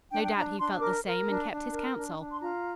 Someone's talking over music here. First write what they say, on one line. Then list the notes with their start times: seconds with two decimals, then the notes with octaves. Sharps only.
No doubt he felt the same and kept his counsel.
0.12 D4 G5
0.25 G5
0.36 D4 A#5
0.59 D4 C6
0.81 A#4 D6
1.04 A#4
1.27 D4
1.50 D4
1.72 A#4
1.96 D4
2.18 D4
2.30 C6
2.41 F4 A#5